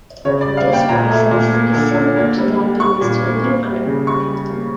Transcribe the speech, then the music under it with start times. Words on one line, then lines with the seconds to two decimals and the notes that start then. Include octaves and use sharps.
This process is similar to that used in Euchre.
0.25 C#3 C#5
0.41 D5
0.46 G3
0.57 F5
0.67 A#3
0.73 G5
0.89 A#2 A#5
1.10 A3
1.31 A#2
1.53 A#3
1.73 D3
1.95 D3
2.16 A#3
2.37 G3
2.59 G3
2.80 G3 C#6
3.01 A#2
3.23 A#3
3.44 A#3
3.65 G3
3.86 C#3
4.07 G3 C#6
4.28 G3
4.50 A#3